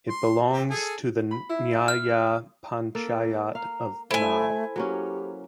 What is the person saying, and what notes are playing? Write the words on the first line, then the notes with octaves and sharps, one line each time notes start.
It belongs to the nyaya panchayat of Mau.
C6
C4 G4
G#4 A4 G#5
B5
E4
F6
A#3 A4
F5 A#5
A3 E4 A4 C5 G#5
F#3 A#3 C#4 G4